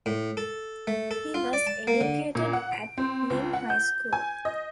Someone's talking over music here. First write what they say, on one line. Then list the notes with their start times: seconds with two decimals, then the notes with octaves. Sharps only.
He was educated at Lymm High School.
0.06 A2
0.37 A4
0.87 A3
1.11 A4
1.34 F4
1.53 D5
1.67 A5
1.87 A#3
2.01 D3
2.35 A#2
2.53 F#5
2.72 D7
2.98 C4
3.30 C#2
3.53 F#5
3.70 G6
4.13 G#5
4.45 D#5